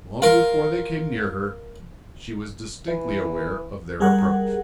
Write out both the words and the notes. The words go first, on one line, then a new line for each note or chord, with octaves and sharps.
Long before they came near her, she was distinctly aware of their approach.
F4 A#4
E3
G3 G#4 A#4 F#5